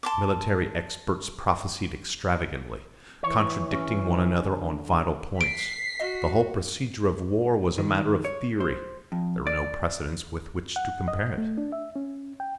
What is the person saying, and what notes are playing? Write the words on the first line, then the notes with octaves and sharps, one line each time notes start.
Military experts prophesied extravagantly, contradicting one another on vital points; the whole procedure of war was a matter of theory; there were no precedents with which to compare it.
A5 C6 D6
E3 C#5
C#4
D3
B6 C7 D7
F#4 D#5
D#3
C#5
C5
F2
D5
F#5
D#5
A3
D4
E5
C#4
G5